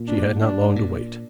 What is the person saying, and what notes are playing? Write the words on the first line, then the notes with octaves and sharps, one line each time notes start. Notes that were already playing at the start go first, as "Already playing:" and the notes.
She had not long to wait.
Already playing: A#2
D4
D4
A#2